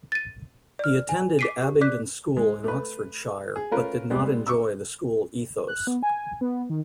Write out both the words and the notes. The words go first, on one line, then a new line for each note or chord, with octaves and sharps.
He attended Abingdon School in Oxfordshire, but did not enjoy the school ethos.
A6 D#7
D5 F6
G#5
D6 B6 C7 D7 D#7
G4
D5 D6 F#6 B6
G#3
A3 B4
G#4
A3 C#4 F4 A#4 B4
G3 G#3 B3 C4 G4
C#6 D6 E6
F#6
B3
G#5
B3
D#3